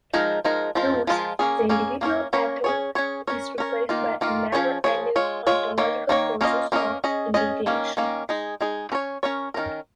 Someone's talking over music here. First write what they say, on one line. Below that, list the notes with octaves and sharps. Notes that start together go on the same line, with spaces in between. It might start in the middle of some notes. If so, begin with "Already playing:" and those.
Thus, the individual atom is replaced by a never-ending ontological process of individuation.
F3 G#3 D#4 A#4
F3 G#3 D#4 A#4
F3 G#3 F4 A#4
F3 G#3 F4 A#4
A#3 C#4 G#4
A#3 C#4 G#4
A#3 C#4 A#4 C#5
A#3 C#4 A#4 C#5
C#4 G#4 C#5
C#4 G#4 C#5
C#4 A#4 C#5
C#4 A#4 C#5
D#3 A#3 F4
D#3 A#3 F4
F3 C#4 G#4 C#5
F3 C#4 G#4 C#5
G#3 F4 C#5
G#3 F4 C#5
D#3 A#3 C#5
D#3 A#3 C#5
A#3 C#4 F4 A#4 D#5
A#3 C#4 F4 A#4 D#5
C#4 G#4 D#5
C#4 G#4 D#5
D#3 A#3 C#4
D#3 A#3 C#4
G#3 D#4 G#4
G#3 D#4 G#4
C#4 A#4 C#5
C#4 A#4 C#5
D#3 A#3 C#4 A#4